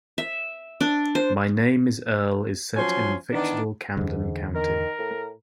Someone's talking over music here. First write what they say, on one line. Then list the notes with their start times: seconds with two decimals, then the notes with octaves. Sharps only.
"My Name Is Earl" is set in fictional Camden County.
0.18 E5
0.81 D4
1.15 C5
2.76 F3 F#3 C#4 G#5 C6
3.33 D#3 E3 B3 D4
3.97 E2 G#2 D3
4.55 D#3 A#4
4.99 A2